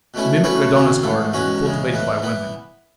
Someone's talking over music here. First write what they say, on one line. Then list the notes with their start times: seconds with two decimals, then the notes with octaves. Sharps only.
Mimic Adonis gardens were cultivated by women.
0.14 B2 A3 C#4 E4
0.44 B2 A3 C#4 F#4 B4
0.74 D#2 C#3 F#3 C#4
1.03 G#2 E3 A3
1.33 E2 B2 G#3 C#4 F#4
1.63 E2 C#3 G#3
1.93 A2 E3 B3
2.22 E3 B3